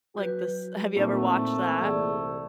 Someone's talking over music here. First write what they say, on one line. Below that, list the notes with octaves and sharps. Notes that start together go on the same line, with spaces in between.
Like this have you ever watched that?
F#3 F#4 B4 G6
A#2 A3 C4 D#4
C2 E3 G#4 D5